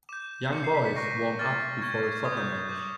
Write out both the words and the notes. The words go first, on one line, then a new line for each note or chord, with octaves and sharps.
Young boys warm up before a soccer match.
D6 G6 E7
D6 G6 C#7
C7
B6
B6
C#6 F#6 A#6
D6 F6 A6
C#6 F6 G#6
G#6
D#6 G6 G#6
G6
G#6
D6 G6